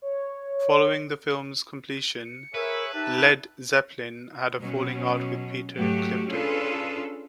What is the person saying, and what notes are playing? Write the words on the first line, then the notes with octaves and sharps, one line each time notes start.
Following the film's completion, Led Zeppelin had a falling out with Peter Clifton.
C#5
C#7
G#4 A#4 B4 C#5 E5
D#4 G4 E5 A5 F#6
B2 F#3 C#4
G#2 F#3 A3 F#4 G4
C#4 D4 F4 G#4 A4 B4